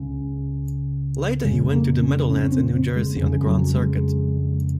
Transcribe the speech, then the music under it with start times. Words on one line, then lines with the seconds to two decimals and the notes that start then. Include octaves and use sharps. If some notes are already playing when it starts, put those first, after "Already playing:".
Later he went to the Meadowlands in New Jersey on the Grand Circuit.
Already playing: C#2 C#3
1.44 F2 C#3 G#3
1.72 A#3
2.01 C#4
2.30 C#4
2.44 C#4
2.51 C4
2.74 C4
2.96 G#3
3.16 F2 C#3 F#3
3.46 F#3
3.74 G#3